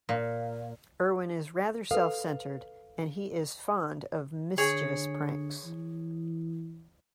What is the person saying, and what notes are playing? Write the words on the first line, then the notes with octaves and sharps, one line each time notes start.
Erwin is rather self-centered, and he is fond of mischievous pranks.
A#2
A4 B4 F5
D3 G#4 C#5
E3